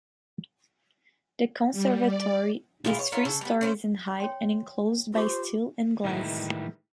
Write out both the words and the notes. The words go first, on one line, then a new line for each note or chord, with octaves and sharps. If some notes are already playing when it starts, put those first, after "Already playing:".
The conservatory is three stories in height and enclosed by steel and glass.
G3
D5
A#2 G#3 E4 F4
C#5
E4 F4 A#4 C#5
C#3 A4
G3 B3
C#4 E4 C5
C#5 G5 C6
F4 G4 C5 D6
A2 D#3 E3 G3 G#3